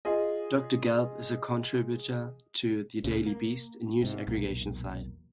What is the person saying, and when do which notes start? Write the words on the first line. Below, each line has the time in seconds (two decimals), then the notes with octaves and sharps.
Doctor Gelb is a contributor to The Daily Beast, a news aggregation site.
0.05 F4 G#4 D#5
3.04 C#2 A#2 C#3
3.26 A#3
4.02 G#2 C3
4.27 B1 E2 A#2 A#3